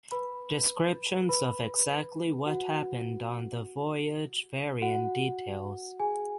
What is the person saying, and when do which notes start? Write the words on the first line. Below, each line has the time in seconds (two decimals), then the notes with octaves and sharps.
Descriptions of exactly what happened on the voyage vary in details.
0.11 B4 B5
1.29 B4 B5
2.46 F#4 F#5
4.81 F#4 F#5
6.00 G#4 G#5